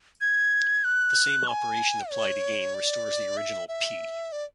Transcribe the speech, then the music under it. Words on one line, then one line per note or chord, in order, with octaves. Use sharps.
The same operation applied again restores the original "P".
G#6
F#6
G#5
C#5
D5
E5
E5
D5